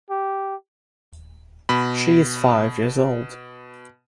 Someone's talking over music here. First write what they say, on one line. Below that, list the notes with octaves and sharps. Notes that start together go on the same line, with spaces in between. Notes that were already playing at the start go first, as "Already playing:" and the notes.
She is five years old.
G4
B2 B5